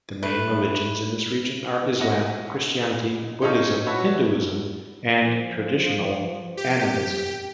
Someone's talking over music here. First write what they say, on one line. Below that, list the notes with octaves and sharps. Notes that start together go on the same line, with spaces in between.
The main religions in this region are Islam, Christianity, Buddhism, Hinduism and traditional animism.
A3 B4
E4 D#5 F#5
C#4 D#4 F4 G4 A4 C#5
F#4 B4 C#5 E5 A5 E6
F3
G4